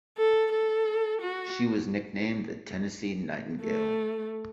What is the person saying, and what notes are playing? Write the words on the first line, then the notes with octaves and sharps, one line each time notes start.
She was nicknamed the Tennessee Nightingale.
A4
A4
F#4
A3